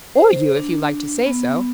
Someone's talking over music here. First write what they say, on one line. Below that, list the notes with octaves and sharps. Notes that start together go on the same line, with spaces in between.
"Or you, if you like to say so."
C5
D4
B3